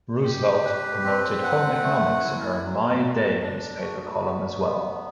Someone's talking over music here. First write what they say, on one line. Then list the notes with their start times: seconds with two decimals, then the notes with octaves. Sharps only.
Roosevelt promoted home economics in her "My Day" newspaper column as well.
0.24 G4
0.64 B4
1.04 C4
1.43 F#5
1.83 A3
2.23 E4
2.62 F#3
3.02 F#3
3.42 D4
3.81 F#4
4.21 B3
4.61 B3